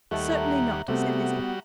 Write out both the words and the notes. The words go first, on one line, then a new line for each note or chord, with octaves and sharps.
"Certainly not," said Lizzie.
D#2 G3 A3 A4 D#5 F#5
A#5
C3 G3 A3 B3 F#4